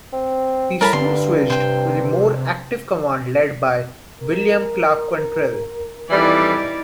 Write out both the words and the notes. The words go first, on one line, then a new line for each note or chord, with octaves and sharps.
He soon switched to the more active command led by William Clarke Quantrill.
C4
A2 G3 A#4 A5 B5
G2 D3 C6
C3 C5 G5
A#4
F2 E3 G3 D#4 E4 D5